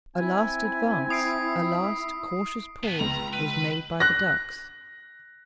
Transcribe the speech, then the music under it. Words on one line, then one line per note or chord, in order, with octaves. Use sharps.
A last advance, a last cautious pause, was made by the ducks.
C4 E4 G#5
D#6 C7 D7
A2 B3
C#2 A#5 F7
B4
F#6 A#6